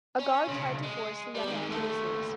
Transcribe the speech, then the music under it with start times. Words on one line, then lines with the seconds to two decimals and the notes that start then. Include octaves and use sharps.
A guard tried to force the young man to his knees.
0.19 C#4
0.47 B1 C#3
0.83 G#3
1.35 G3
1.48 D#3 G#3
1.71 D#2 A3